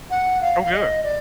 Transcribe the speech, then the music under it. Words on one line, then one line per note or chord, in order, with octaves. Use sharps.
Oh, good.
F#5
F5
F5
D#5
D5